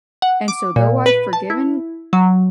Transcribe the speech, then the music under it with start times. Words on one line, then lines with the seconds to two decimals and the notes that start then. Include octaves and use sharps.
and so though I've forgiven,
0.22 F#5
0.48 D6
0.76 A#2
1.06 B4
1.33 A5
1.50 E4
2.13 F#3